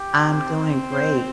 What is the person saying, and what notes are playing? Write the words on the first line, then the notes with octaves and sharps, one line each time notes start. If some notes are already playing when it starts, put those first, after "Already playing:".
I'm doing great.
Already playing: G4
C4
C5